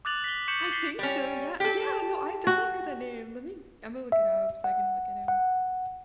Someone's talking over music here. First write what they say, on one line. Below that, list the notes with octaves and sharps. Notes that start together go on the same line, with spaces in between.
I think so. Yeah. Yeah! No, I've definitely heard that name. Lemme Imma look it up so I can look at him.
D6 D#6 F#6 A6 F7 F#7
B6 G7
C#6 G6 C#7 E7 F#7
A6 B6 C7 G7
G3 C#4
G4 A4
F#4
E5
F#5
F#5